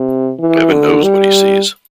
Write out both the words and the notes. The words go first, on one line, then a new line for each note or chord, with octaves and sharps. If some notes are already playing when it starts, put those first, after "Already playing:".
Heaven knows what he sees.
Already playing: C3
E3
D3
G3